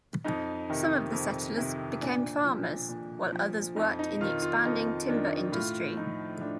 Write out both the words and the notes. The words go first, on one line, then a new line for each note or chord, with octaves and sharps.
Some of the settlers became farmers, while others worked in the expanding timber industry.
F2 D#4
C3 D#3
F2
C3 D#3
A#2 D4
F3
A#2
F3
F2 D#4
D#4
D#3 F4
F4
F2 D#4
D#3 D4
A2 F4
F3 D#4
A2 D4